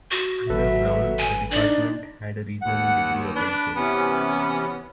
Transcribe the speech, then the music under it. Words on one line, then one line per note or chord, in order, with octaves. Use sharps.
Under Brown the Department had a reasonable degree of influence.
F#4
G#1 F#3 A4 B4 E5
G#5
D4 D#4 D5
D#2 F#5
D4 B4
C3 E3 B3 C#4